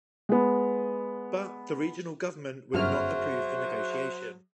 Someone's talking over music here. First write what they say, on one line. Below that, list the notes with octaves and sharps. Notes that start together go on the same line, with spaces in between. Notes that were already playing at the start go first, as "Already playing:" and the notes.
But the regional government would not approve the negotiation.
G#3 B3
G1 F#2 F#3 G#4 C5 E5 C#6 F6